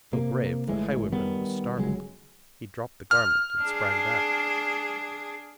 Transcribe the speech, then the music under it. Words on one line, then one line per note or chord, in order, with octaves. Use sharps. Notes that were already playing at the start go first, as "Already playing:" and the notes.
Though brave, the highwayman was startled: he dropped the garment, and sprang back.
C3 A#3
G1 A2 E3 G#3
D#3 G3 B3
G1 C#3 F#3 G#3
F6
D4 G#4